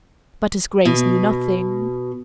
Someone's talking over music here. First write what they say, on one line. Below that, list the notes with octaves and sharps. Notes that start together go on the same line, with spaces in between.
But his Grace knew nothing.
B2